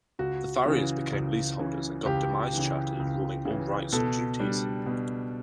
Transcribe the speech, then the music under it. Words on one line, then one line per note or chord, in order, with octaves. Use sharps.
The farriers became leaseholders and got demise charters ruling all rights and duties.
C#2 F#4
C#3 E3
C#2
C#3 E3
C#2 G4
C#3 E3
C#2
C#3
E3
B2 A4
G3 D4
B2